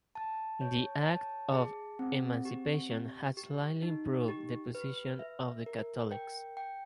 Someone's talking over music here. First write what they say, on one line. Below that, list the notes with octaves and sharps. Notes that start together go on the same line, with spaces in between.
The Act of Emancipation had slightly improved the position of the Catholics.
A5
C#5
A5
G#4
C4
G4
G4
G4
D#4
G4
B4
E5
A#4
G5
G5